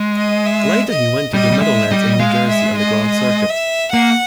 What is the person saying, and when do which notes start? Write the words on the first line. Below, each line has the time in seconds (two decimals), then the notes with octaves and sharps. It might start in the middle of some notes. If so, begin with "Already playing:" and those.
Later he went to the Meadowlands in New Jersey on the Grand Circuit.
Already playing: G#3
0.17 D#5
0.46 E5
0.90 D#5
1.34 G3 D#5
1.52 G3
1.62 G#3 E5
1.91 G3 D#5
2.19 G#3 F5
2.50 E5
2.78 D#5
3.07 D#5
3.50 E5
3.93 A#3 F#5